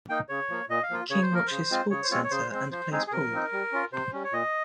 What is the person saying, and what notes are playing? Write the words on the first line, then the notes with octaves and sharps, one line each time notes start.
King, watches SportsCentre, and plays pool.
A#3 D#4 G5
C#3 C#5
F3 A#3
A#2 D#5
F5
F3 A#3 F4
C#3 C#5
C5
F3 A#3 A#4
C#3 C5
G#3 C4 F4
C#3 C#5
C5
G#3 C4 F4 C#5
C#5
C#3 C5
G#3 C4 C5
F3 C5
G#3 C4 D#4 G#4
G#4
C3 A#4
F3 C4 D#4
G3
C#4 F4
C3 C5
G3 C#4
C#5
A#2 D#5